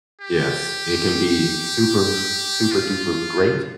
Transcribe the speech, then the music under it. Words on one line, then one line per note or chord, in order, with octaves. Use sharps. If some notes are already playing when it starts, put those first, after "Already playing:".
Yes. It can be super, super duper great
G4
F4